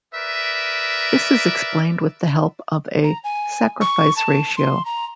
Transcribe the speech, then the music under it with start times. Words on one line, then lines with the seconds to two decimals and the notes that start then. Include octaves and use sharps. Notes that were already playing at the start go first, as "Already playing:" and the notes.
This is explained with the help of a "sacrifice ratio".
0.14 A#4 B4 D5 E5
3.04 A#5
3.24 G#5
3.81 C#6
4.16 A5
4.57 C6
4.85 A#5